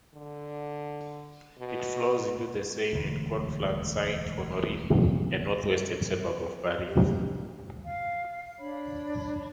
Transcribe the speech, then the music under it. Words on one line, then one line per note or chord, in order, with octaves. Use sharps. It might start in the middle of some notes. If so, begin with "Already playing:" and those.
It flows into the Seine at Conflans-Sainte-Honorine, a north-western suburb of Paris.
D3
B2
E1 D2
G4
F5
D4 C#5 B5